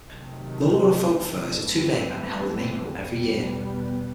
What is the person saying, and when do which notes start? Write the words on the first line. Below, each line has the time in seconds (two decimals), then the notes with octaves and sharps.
The Laura Folk Fair is a two-day event held in April every year.
0.13 C3 D#3 F#3 A3
1.55 G2 E3 A3 C4
2.97 E2 B2 G3 B3